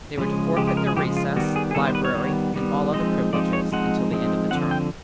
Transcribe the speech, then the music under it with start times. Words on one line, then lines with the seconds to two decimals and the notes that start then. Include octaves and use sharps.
They were to forfeit their recess, library and all other privileges until the end of the term.
0.18 C#3 F3 G#3
0.57 C#3 F3 G#3 G4
0.67 G4
0.77 A#4
0.87 G#4
0.96 C#3 F3 G#3 G4
1.17 F4
1.36 D#3 G3 B3 F#4
1.56 G#4
1.71 G#4
1.75 D#3 G3 B3 A4
1.85 C5
1.95 B4
2.05 C#5
2.14 D#3 G3 B3
2.54 D#3 G3 B3
2.93 F3 G#3 C4 D#4 D#5
3.33 F3 G#3 C4 D#4 D5
3.53 C#5
3.72 F3 G#3 C4 D#4 F#5
4.11 F3 G#3 C4 D#4
4.51 D3 F3 A3 C4 F#5
4.71 G5